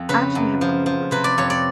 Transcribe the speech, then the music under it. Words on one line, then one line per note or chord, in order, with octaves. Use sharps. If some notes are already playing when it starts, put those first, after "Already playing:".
I actually have a couple of approaches.
Already playing: F2
C#3 B4
F#2
F3
F3
C3 B4
D5
F2 C#5
D5